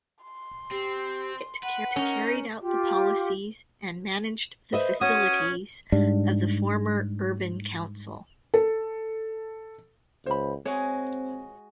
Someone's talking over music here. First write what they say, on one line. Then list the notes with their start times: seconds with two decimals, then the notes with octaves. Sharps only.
It carried out the policies and managed the facilities of the former Urban Council.
0.24 C6
0.71 C4 G4
1.63 B4 F#5
1.96 C#4 D#4 A#4
2.59 F4 G4
4.73 B4 C5 D#5 E5
5.01 C#4 F#4 C#5 D#6
5.92 G#2 G3 D4
8.54 A4
10.26 C#2 C5 B5
10.65 G#3 C4 F#4 C#5 G#5